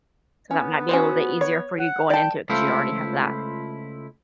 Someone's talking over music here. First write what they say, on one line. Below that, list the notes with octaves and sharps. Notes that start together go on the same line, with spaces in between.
So that might be a little bit easier for you going into it 'cause you already have that
B3 C#4
C#4 F#4 C5
C#5
F#5
D5 G5 A5
C#2 A3 E4 F4 A4 C5